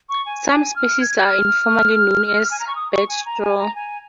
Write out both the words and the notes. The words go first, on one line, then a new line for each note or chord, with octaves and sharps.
Some species are informally known as bedstraw.
C#6
G#5
G#5
F6
G#6
F6
G#5
A#5
C#6
D#6
C#6
G#5
A#5
G#5
A#5
G#5